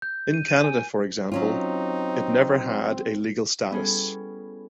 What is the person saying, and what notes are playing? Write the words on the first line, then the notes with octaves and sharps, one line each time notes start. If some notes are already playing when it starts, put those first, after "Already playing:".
In Canada for example, it never had a legal status.
G6
D#7
D#7
G#5
F#3 C4 C#4 D#4 F4
G3 B3 C#4 E4 G#4 A4